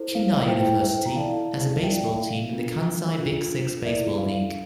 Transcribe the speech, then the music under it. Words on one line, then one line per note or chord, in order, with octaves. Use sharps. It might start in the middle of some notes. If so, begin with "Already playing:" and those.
Kindai University has a baseball team in the Kansai Big Six Baseball League.
Already playing: E4 A4 C5
F5
E4 A4 C5 E5 G5
E5 G5
A#5
E4 A4 D5 F5 A5
E4 A4 D5 E5 G5
E5
F5
D4 F4 A4
D4 F4 A4
E4 A4 D5 E5
F5